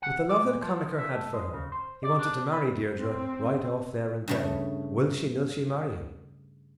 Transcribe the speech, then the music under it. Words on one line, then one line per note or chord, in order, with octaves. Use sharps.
With the love that Connachar had for her, he wanted to marry Deirdre right off there and then, will she nill she marry him.
F#5
D5
A#2
F3
E5
A3
G#3
C#3
C5
D5
D4
B4
C4
G2 C#3 A3